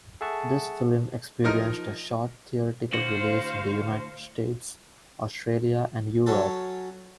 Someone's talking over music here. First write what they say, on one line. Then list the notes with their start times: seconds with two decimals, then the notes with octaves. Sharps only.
This film experienced a short theatrical release in the United States, Australia, and Europe.
0.21 G#4 A4 E5 F#5 A5 C#6
1.44 F3 D#4 A#4 F6
2.93 A2 D3 F#4 C5 F5
6.26 F#3 C#4 A4